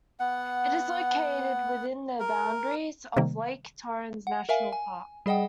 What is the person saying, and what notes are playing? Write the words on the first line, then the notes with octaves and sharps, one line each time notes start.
It is located within the boundaries of Lake Torrens National Park.
B3 F#5
A#4
C3 D#3 G3 A#3
F#5
A#4 E5 F5 G#5
G#5
G3 G#4 D#5 F#5 G5